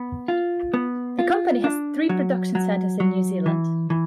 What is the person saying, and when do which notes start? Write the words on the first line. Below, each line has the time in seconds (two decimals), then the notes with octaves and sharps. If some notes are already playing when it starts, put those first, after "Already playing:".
The company has three production centres in New Zealand.
Already playing: B3
0.28 F4
0.74 B3
1.19 F4
1.64 D4
2.09 F#3
2.55 F#3
3.00 F#3
3.46 E3
3.90 E3